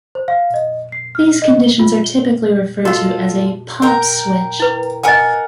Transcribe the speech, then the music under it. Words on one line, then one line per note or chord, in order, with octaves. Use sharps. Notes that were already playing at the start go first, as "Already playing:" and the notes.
These conditions are typically referred to as a "pop switch".
C5
F5
D#5
C7
F6
D#5
G7
F4
G7
F4 F#4 A4 D#5
A#4 G5
E4 B4
A#4 D#5 F#5 G#5 D#6